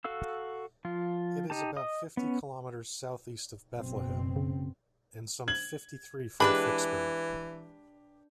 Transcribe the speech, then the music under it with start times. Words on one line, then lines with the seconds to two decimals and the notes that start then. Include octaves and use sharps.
It is about fifty kilometres south-east of Bethlehem, and some fifty-three from Ficksburg.
0.04 F#4 A4 F5 E6
0.85 F3 F4
1.50 D#4 G4 A5
1.77 D#5 D#6
2.17 B3 C#4
3.75 F#1 B2 C4
4.36 C#3
5.48 G#6 F#7
6.40 E3 G#3 D4 G4 B4 A5 B5